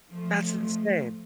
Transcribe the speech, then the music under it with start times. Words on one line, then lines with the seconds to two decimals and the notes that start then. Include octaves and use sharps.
That's insane.
0.10 F3 A3